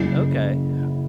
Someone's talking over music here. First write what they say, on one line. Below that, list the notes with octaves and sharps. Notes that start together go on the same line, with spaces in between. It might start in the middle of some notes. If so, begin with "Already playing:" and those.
Okay, ho
Already playing: F#1 F#2 F#3 E4